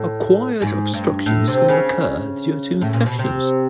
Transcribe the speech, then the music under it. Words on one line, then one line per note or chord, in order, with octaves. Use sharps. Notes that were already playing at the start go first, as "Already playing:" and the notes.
Acquired obstructions can occur due to infections.
Already playing: A2
G#2
G2
A2
C3
C#3
A2
A#2
B2
C3